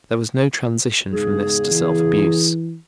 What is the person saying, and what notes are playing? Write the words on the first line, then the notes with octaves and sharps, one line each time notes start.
There was no transition from this to self-abuse.
E2 G#2 C#3 G#4
E3